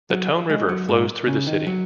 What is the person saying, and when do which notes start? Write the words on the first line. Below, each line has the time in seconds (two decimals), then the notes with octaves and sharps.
The Tone River flows through the city.
0.10 F#3
0.49 G#3
0.69 F#3
0.89 G#2
1.27 C#3
1.47 D#3
1.67 F#3